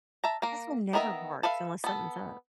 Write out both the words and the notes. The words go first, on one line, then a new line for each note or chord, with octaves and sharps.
This one never barks unless something's up.
E5 A5 A#5
A#3 A#4
D#3 B3 A#4 D#5 E5
A4 B4 E5 F5
B3 A4